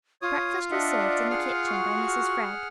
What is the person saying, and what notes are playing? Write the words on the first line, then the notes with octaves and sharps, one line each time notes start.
Breakfast was served in the kitchen by Mrs. Freg.
F4 C#5 D#6
D4 D#5 E5 F#5
G#4 F#5 F6
F#4 C#6